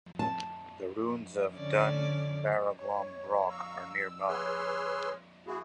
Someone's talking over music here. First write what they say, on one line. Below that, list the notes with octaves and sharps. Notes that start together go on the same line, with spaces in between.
The ruins of Dun Barraglom broch are nearby.
A5
D3 C#4 D5
C#5
F5 A#5 C#6 E6
E6
G#4 B4 C#5 C6 E6 F6
A#3 E4 F#4 G#4